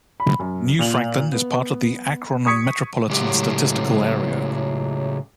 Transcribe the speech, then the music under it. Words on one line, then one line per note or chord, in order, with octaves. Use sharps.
New Franklin is part of the Akron Metropolitan Statistical Area.
B5
F#2
A#2 F7 F#7
B3
C#6 D#6 G#6 B6 C#7
A2 C#3 F#3 G#3 G4